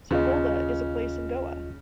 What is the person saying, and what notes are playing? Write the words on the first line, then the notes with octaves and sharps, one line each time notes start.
Sangolda is a place in Goa.
D#2 C#3 F4 D#5